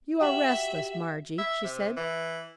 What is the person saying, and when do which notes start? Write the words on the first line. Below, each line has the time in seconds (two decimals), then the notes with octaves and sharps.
"You are restless, Margie," she said.
0.21 F#4 G4 E5 G5 F#7
1.38 E5
1.64 C3
1.97 E3